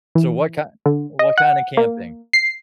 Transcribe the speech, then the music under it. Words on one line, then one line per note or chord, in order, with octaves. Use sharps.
So what kind what kinda camping?
E3
D3
D#5
F#5
A#3
C7